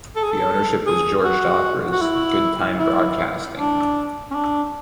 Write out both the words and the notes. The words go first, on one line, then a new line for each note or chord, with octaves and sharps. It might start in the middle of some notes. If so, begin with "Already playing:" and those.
The ownership was George Dacre's "Goodtime Broadcasting".
A4
G#4
A4
G#4
F#4
F#4
E4
E4
D4
C#4
D4